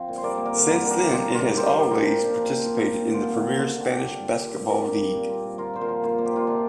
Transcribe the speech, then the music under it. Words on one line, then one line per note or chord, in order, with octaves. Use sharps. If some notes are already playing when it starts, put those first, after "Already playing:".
Since then, it has always participated in the premier Spanish basketball league.
Already playing: F3 C4 F5
A#2
C5
G3 A#4 D5
A#3
A#4 D5
D3
G2 A#4 D5
G3 A#4
D4 G4
A#3
C4 F4
A#2
F4 A#4
G3
A#2 G4 C5
C4 G4 C5
G4 C5
A#2 F4 A#4
C4 D4 G4
A#2
F3
A#2
C4
A#2
C4
D3
F4
G3
D3 D4 G4
C4
F4
D3
C4 D4 G4
A#2
G3
A#2
C4
A#2
C4 A#4 D5
A#2
G3
A#2
C4
A#2
A#3 F4 A#4
A#2 C5
F4 A#4
F3
A#2 F4
A#3
G4
A#2 F4
C3 D4